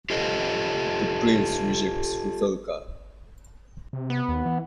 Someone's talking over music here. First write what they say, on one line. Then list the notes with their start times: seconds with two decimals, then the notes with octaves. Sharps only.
The prince rejects Rusalka.
0.10 F4 G4 A4 C5 D#5
3.93 C3
4.10 B3
4.29 D#2
4.45 E3